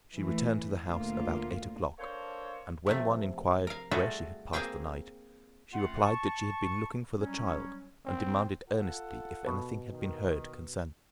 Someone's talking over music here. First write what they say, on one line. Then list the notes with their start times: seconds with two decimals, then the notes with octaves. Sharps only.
She returned to the house about eight o'clock, and when one inquired where she had passed the night, she replied that she had been looking for the child and demanded earnestly if anything had been heard concerning him.
0.15 E3 A3
0.85 D2 A#2 A#3 F4
1.99 A#3 D4 A4 C5 C#5
2.86 C3 F3 A3
3.67 A#4 F5
3.91 G3 A3 F4 F#4 G#4 A4
4.53 A#3 C4 G#4 F5 G5
5.72 F#2 A3 C4 F4 F#5
6.03 A5 C#6
7.18 F#3 G3 C#4
8.06 C4
8.69 F4 A4 F#5
9.46 B2
9.91 D#3